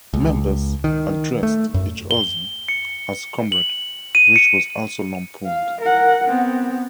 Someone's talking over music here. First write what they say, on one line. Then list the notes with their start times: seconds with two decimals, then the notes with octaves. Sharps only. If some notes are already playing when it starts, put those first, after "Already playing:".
Members addressed each other as 'comrade', which was also lampooned.
0.14 C#2
0.84 D#3
1.43 A3
1.74 F#2
2.11 G7
2.68 C#7
3.52 F#7
4.15 D#7
4.36 C#7
5.46 F5
5.81 A#4 F#5
6.25 B3 C4